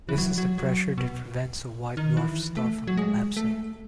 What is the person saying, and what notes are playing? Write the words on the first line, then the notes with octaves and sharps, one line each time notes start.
This is the pressure that prevents a white dwarf star from collapsing.
E3
F#3
F#3
F#3
B2
D#3
E3
A3
F#3
G#3
A3